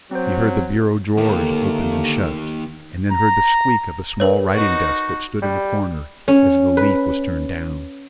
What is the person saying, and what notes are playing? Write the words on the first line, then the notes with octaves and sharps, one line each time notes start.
He heard the bureau drawers opened and shut, and then heard the squeak of a small writing desk that stood in a corner, as the leaf was turned down.
F#3 C4 C5
D#2 D3 A3 A#3
A#5
A#4 B4 C#5
D#4 F#4
G3
C#4
B4